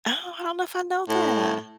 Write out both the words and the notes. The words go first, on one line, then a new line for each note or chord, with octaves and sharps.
Oh, I don't know if I know that.
A2